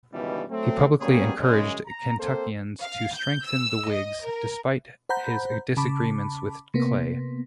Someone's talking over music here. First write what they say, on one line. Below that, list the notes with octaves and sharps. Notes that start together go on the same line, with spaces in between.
He publicly encouraged Kentuckians to strengthen the Whigs, despite his disagreements with Clay.
C#2 G2 B2 D#3 E3 G3
F#3 A3 C4
F#3 G3 A#3 B3 C#4 G#4
F#2 C#3 G#3
A#5
A#3 C4 A4 C5
F5
G6
E6
D#5
A#4
C5 F#5 A#5 B5 G6
C#3 A5 B5 D6
C3 A#3 B3